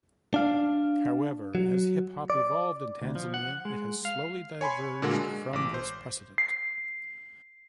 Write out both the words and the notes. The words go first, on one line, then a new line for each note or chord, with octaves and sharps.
However, as hip-hop evolved in Tanzania, it has slowly diverged from this precedent.
D4 F5
F#3
D5
D2
F3
F#5
G#3
F5
C#5 G#5 B5 C6
A#2 D3 G#3 A#3 D4 F#4
G#3
A1 D6
C5
C7